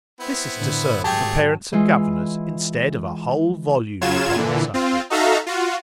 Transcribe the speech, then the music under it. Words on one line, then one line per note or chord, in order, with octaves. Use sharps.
This is to serve for parents and governors instead of a whole volume upon the subject.
B3 C4 E4
A2 D3
G#1 F#3 A3 G4 G#4 G5 A5
E3 G#3 F4
C#3 F#3 F4 G#6 E7
A#2 D3 E3
C4 F4
D#4 F#4 A4 E5 F5 A#5
F4 F#4